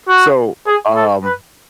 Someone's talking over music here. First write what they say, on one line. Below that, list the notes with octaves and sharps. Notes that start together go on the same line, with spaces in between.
So, uh, um,
F#4
G#4
A4
B4